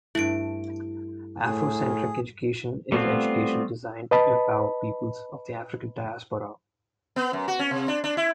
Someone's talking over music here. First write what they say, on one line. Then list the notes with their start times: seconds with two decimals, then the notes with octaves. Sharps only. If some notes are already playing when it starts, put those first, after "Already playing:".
Afrocentric education is education designed to empower peoples of the African diaspora.
0.15 G2 A3 E4 D7
1.43 A2 G#4
2.92 G3 A3 B3 C4 F4
4.11 B4 D#5 A5 B5
7.16 B3
7.33 F#2
7.48 F#4
7.59 C#4
7.71 C3
7.88 D4
8.04 D4
8.17 E4